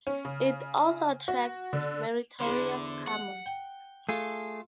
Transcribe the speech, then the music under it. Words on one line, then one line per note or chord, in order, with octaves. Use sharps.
It also attracts meritorious karma.
C#4
C#3
F#4
D3
E2 D3 E4 C5
F#5
G5
A3 F4 G#4 A4